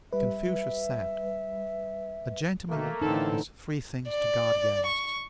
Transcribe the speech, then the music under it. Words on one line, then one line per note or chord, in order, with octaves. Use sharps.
Confucius said, A gentleman has three things to guard against.
G3 B4 E5
B2 D#3 A3 A#3
A2 D3 E3 C4 D#4 A4
D5
C#6